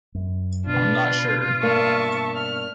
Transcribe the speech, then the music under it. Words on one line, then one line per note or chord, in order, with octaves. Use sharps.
I'm not sure.
F#2
B2 D4 F4 B4
G2 A#3 E5 A5 C#6
F6